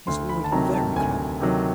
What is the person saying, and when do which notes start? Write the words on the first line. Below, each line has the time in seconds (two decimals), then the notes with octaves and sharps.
She is already very clever.
0.07 D2 C6
0.29 B5
0.44 A5
0.52 C3 D#3 F#3 A#5
0.74 A5
0.96 D2 G#5
1.41 C3 D#3 F#3